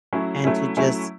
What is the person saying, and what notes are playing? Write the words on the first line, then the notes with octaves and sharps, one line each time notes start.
and to just
F#3 A3 C#4 E4
F#3 A3 C#4 E4
F#3 A3 C#4 E4